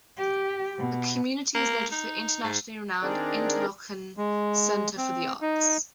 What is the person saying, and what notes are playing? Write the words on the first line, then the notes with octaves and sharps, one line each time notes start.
The community is noted for the internationally renowned Interlochen Center for the Arts.
G4
B2
A#3
D#4
G#2
D#3 C4 D4 G#4 A#4 D5
G#3
C4
D#4